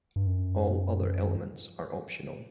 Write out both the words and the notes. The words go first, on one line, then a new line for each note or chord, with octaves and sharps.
All other elements are optional.
G2
F#2